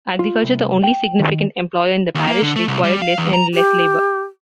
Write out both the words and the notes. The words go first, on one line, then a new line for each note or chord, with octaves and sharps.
Agriculture, the only significant employer in the parish, required less and less labour.
F4
C2
G5
D#3
D#2
A#3
D3
A3
C2
G3
F5
E2
A#5
G4